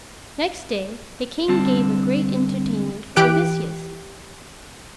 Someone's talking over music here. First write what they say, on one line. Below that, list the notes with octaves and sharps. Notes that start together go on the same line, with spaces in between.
Next day the King gave a great entertainment for Odysseus.
D3 G3 C4 A5
E3 G4 F#6 D7